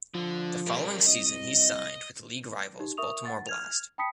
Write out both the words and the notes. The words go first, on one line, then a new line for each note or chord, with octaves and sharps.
The following season he signed with league rivals Baltimore Blast.
D3 F3
G3 A#4
C2 D#5
D#4 G4
A#4 E5 C#6 D#6 F7
F#5 A6
F6 G#6 F7
G5 A5 B5 D#6 B6 C#7